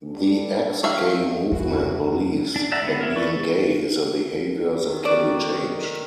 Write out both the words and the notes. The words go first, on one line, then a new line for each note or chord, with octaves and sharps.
The Ex-Gay Movement believes that being gay is a behavior that can be changed.
G3 D4 A4
D#3 E5 F5
F2 E3 E4 F#4
D4
D5 E5 F#5 A5 A#5
D3 B3
E4 A#4
A4 B4 D5 C#6
D#3
C#4 F#4 A4 D5